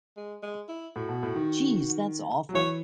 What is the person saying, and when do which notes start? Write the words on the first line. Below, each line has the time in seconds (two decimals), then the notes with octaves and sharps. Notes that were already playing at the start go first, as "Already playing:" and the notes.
Jeez, that's awful!
0.17 G#3
0.43 G#3
0.69 E4
0.96 A2 F#4
1.09 B2
1.23 A2
1.36 D#3
2.49 F#3
2.55 E3 C#5